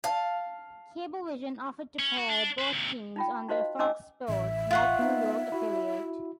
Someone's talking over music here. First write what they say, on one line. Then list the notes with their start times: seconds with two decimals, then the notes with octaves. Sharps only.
Cablevision offered to pair both teams on their Fox Sports Net New York affiliate.
0.04 F5 A5
1.99 C#4
2.17 F#4
2.29 D4
2.59 B4 C5
2.72 D#2 C3
3.16 D#4 F4 G5
3.49 D#4 F#4 C5 D#5 F5
3.79 C#4 D#4 D#5 G#5 D6 E6
4.28 A1 E5
4.71 F4 F#5 C#6
4.99 B3 D#4
5.52 E4 F#4